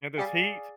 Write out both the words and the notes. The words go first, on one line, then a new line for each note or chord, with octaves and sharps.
In this heat?
G3 G#4 D5 F5 G#5